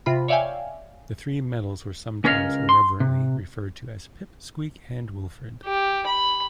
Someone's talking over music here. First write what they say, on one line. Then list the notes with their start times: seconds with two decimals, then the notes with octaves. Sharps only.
The three medals were sometimes irreverently referred to as "Pip, Squeak and Wilfred".
0.06 C3 F4 B5
0.28 C#5 D5 E5 F5 G5 G#5
2.24 C#2 C#4 A#4 C#5 D#5 F5
2.69 C6
3.00 C3
5.65 G4
6.07 B5